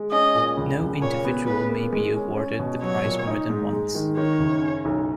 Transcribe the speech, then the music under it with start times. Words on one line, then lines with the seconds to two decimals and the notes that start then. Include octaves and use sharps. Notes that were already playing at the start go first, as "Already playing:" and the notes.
No individual may be awarded the prize more than once.
Already playing: G#3
0.12 C#4 D#5
0.35 A#2
0.57 C#2
0.79 C#2
1.02 A#2 C#5
1.25 B3
1.47 C#3 B4
1.70 A#3
1.92 G#3
2.15 C#4
2.37 C#4
2.59 B2
2.82 F#3 C#5
3.04 A#2
3.27 D#4
3.50 G#2
3.73 G#3
3.95 D#3
4.17 D#3 C#5
4.39 F#1
4.62 C#4
4.85 B1